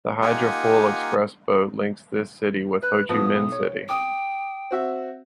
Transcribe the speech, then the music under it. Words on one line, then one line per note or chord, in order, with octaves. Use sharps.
The hydrofoil express boat links this city with Ho Chi Minh City.
A#3 D#4 F4 G4 F#5 G#5
B4 F#6
A2 F3 B3 D#6
B1
C#5
G5 D6 D#6
C4 F#4 E5